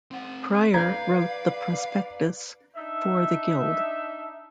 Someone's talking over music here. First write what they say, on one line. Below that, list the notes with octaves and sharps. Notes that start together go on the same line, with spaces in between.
Prior wrote the prospectus for the Guild.
C4 F#5
B4 D5 F5 A#5 G6 G#6
D4 D#4 E5